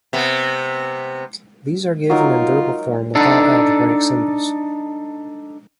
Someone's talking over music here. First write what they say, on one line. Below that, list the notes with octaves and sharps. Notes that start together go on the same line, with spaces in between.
These are given in verbal form without algebraic symbols.
C3 B3
F#3 D#4 F4 A#4
D4 D#4 A4